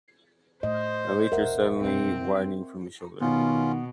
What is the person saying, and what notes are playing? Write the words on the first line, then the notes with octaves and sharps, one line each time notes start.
Elytra suddenly widening from the shoulder.
A2 C5 D#5
E1 A#1 A#4 E5 F#5
F#2 B2 C4
B2 D#3 B3 C#4 F4